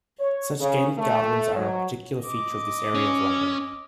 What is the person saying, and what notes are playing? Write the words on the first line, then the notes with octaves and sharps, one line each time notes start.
Such gated gardens are a particular feature of this area of London.
C#5
C#3
A3
F#3
D#5 D6
C#4